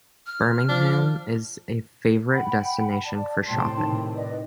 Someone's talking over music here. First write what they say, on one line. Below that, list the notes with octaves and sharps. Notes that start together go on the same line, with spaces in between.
Birmingham is a favourite destination for shopping.
F6
F3 D4
F#5 G5 B5
D5 A5
A2 C3 G5 A5 C6
D#3
B4 D5 D#5